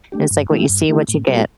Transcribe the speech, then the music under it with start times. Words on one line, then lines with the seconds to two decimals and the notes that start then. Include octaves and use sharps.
And it's, like, "What you see, what you get."
0.12 A3 D4 G4
0.31 G2
0.51 E3 A3 E4 G4
0.69 G2
0.89 E3 A3 E4 G4
1.08 A2
1.27 G3 B3 F#4 A4